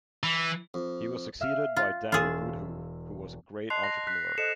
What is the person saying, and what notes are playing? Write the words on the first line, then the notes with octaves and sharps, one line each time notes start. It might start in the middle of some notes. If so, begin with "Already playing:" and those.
He was succeeded by Dan Boodhoo who was a great entrepreneur.
E3
F2
E5 F5 F6
F4
E1 F4 G#4 E6 A6
D#5 A5 C6 F#6 C7 F7
A#6
F#6 B6
A4 C5 D#5 C#7 E7